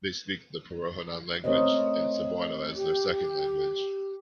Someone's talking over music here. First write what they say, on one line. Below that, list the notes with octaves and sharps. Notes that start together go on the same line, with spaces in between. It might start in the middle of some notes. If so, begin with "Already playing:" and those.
They speak the Porohanon language, and Cebuano as their second language.
A3 C4 A#4 C5 C#5 D#5
G4